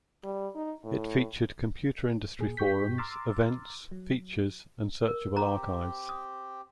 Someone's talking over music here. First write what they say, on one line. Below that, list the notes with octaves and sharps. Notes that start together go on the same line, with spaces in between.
It featured computer industry forums, events, features and searchable archives.
G3
D#4
A2
A#2 G#4
G2 G4 C#6 G6 B6
A#5 C6 D6 E6 F6 A6
F#3
A#4
C4 G4 A#5
D#6